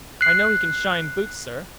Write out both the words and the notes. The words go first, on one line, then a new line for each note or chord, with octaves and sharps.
"I know he can shine boots, sir."
F#6 C7